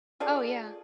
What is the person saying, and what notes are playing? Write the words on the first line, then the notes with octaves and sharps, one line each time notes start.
Oh, yeah.
F4 G#4 A4 D5